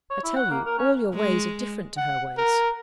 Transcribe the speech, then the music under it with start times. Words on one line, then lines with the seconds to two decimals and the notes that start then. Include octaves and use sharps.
I tell you, all your ways are different to her ways.'
0.10 C#5
0.24 E4
0.36 F#5
0.51 A#3
0.65 A#4
0.78 C#4
1.15 G#3
1.97 F#5
2.37 A#4